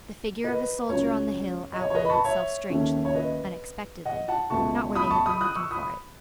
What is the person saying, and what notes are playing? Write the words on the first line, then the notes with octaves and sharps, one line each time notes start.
The figure of a soldier on the hill outlined itself strangely, unexpectedly, not where they had been looking for it.
B4 D#5
C#2 C#3 F#3 C#4 C#5
D#5
C#5
C#5
B4 D#5
B5
A5 C#6
C#5 E5
D#2 D#3 A3 C#4
C#5
B4 D#5
D#5 F#5
F#5 A5
C#2 B2 A3 A5 C#6
B5 D#6
A5 C#6
B5 D#6
D#6 F#6
C#6 E6
B5 D#6